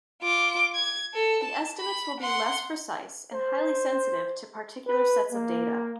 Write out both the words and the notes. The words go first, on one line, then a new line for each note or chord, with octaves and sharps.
The estimates will be less precise and highly sensitive to particular sets of data.
F4 D6
G#6
A4
A5
B5
F#5 C6
C5
B4
A#3